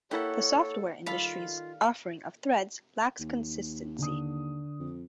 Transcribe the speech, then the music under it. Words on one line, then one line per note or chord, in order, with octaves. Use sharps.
The software industry's offering of threads lacks consistency.
A#3 E4 G4 A4 C#5 F#5
D#3 G3 F4 A4 F5 B5
D#2
D3 D#6
F2